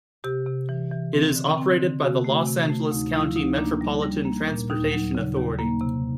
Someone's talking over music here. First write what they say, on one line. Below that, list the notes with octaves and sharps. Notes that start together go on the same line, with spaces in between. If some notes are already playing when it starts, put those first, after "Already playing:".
It is operated by the Los Angeles County Metropolitan Transportation Authority.
C3 G4
C3
E3
E3
C4
D3
C4
D3
C3 F#4
A3
C3
A3
D2 D#4
F3 E4
D2 D#4
A#3 D4
G3
G3
A#3
A#2
D#2 D#4
F#3
C#3
D#2
A#3
C3